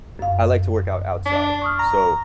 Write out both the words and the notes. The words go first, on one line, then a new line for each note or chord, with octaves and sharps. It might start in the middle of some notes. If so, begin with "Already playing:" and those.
I like to work out outside. So,
F#2 F5
D4
C#6 D#6 F6
A#5